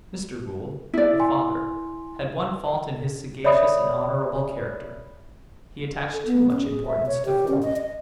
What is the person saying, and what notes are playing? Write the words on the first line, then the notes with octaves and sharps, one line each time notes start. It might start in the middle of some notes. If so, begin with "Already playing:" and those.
Mr. Gould, the father, had one fault in his sagacious and honourable character: he attached too much importance to form.
E4 D5
G#5 C6
C#5 D5 E5 B5 D#6
A4
B3
C#4
G#4
E5
C#5
G4
C#4
D#5
D#5